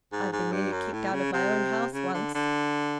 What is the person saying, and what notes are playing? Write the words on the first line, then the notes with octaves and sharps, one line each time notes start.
I've been nearly kicked out of my own house once.
G#2
G#2
G2
F#2
A2
C#3
C3
C#3
D3
D3